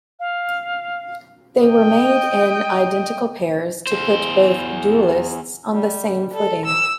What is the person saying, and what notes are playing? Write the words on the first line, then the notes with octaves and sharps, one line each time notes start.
They were made in identical pairs to put both duellists on the same footing.
F5
D#5 G5
E2 C5
G3
A4
E6